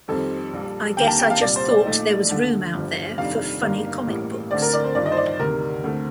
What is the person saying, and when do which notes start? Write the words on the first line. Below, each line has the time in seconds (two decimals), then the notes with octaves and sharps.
I guess I just thought there was room out there for funny comic books.
0.08 F2 D#3 G3 C4 A4
0.53 A#1 A#2 G3
0.97 D#2 D3 G3 A#3 G5
1.07 A5
1.19 G5
1.30 F5
1.41 C2 A#2 G3 D5
1.56 C5
1.71 D5
1.85 A#1 A#2 A3 D#4
2.30 D#2 D3 A3
2.74 G1 G2 F3
3.18 F1 F2 D#3 G3 D4 F5
3.62 G1 G2 D#3 A#3
4.07 A1 A2 G3 A#3
4.51 D2 D3 A3 C4 D5
4.62 A#4
4.73 D5
4.84 C5
4.95 G2 D#3 G3 D4 F4 D5
5.06 D#5
5.12 C5
5.17 D5
5.39 D2 C3 D#3 A#4
5.84 D2 D3 A3 C4